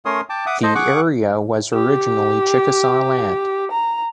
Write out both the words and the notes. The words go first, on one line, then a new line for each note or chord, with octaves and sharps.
The area was originally Chickasaw land.
A3 C#4 A#4 C#5 C6 D#6
G5 A5 D6
E5 F#5 D6 D#6
A4 C5 D#5
G#4 F#5 C#6 D6 F#6
G4
A#5